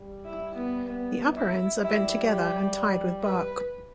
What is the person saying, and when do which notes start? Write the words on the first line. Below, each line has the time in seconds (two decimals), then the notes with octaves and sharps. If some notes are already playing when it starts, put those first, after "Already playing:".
The upper ends are bent together and tied with bark.
Already playing: G3
0.25 E4
0.56 B3
0.88 B3
1.34 E4
1.81 G3 E4
2.28 G4
3.22 B4